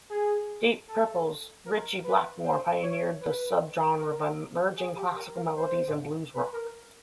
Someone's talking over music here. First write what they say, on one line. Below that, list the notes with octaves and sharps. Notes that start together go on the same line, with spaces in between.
Deep Purple's Ritchie Blackmore pioneered the subgenre by merging classical melodies and blues rock.
G#4
A4
A#4
B4
C5
C#5
B4
A#4
G#4
G4
A#4
A#4
C5
B4
A#4